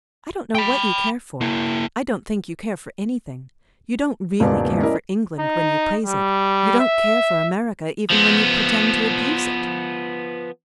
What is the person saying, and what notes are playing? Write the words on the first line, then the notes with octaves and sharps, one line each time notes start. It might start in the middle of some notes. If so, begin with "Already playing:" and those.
"I don't know what you care for; I don't think you care for anything. You don't really care for England when you praise it; you don't care for America even when you pretend to abuse it."
G5 B5
A#3 E4
E1 C#2 G#2 A#3 B3 D5
C#4 E4 A#4 D5 D#5
D#4
G3
E5
F3 B3